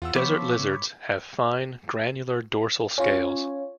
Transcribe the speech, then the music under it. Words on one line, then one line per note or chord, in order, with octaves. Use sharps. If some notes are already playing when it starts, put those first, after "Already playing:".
Desert lizards have fine, granular dorsal scales.
E2 F4 F#5 E6
F3 B3 C#5 B5 C#6 D6 B6
C#3
C#4 F4 C#5